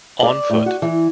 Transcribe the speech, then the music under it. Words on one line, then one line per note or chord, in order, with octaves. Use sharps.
On foot.
D5
A2
F#4
E3